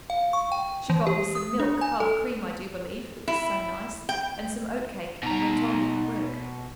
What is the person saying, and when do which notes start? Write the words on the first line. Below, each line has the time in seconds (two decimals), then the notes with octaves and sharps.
She got me some milk--half cream I do believe, it was so nice--and some oatcake, and went on with her work.
0.10 F5
0.33 C#6
0.52 G5
0.90 E3
1.07 G4
1.35 D#6
1.60 D4
1.81 G#5
2.00 A4
3.28 E4
4.09 G5
5.23 B2 D#4 A#5